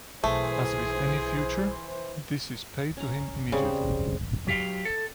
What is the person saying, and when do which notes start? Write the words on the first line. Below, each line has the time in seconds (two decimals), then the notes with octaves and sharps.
As with any future, this is paid to him immediately.
0.24 B1 E3 A3 G#4 C5
2.97 C#4 A#5
3.52 C#3 G3 C4 D#5
4.47 F#3 G4 F5
4.85 A4